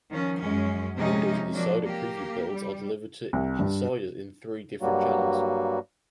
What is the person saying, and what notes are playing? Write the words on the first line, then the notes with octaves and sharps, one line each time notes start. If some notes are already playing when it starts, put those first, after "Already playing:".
Windows Insider Preview builds are delivered to Insiders in three different channels.
D#3 F3 C#4
F#2 G#3 C#4
C3 F3 G#3 C#4 D#4
F3 F#3 A#3 D4
A#3 G4
G3
C2
G2
G2 F#3 G3 A#3 F#4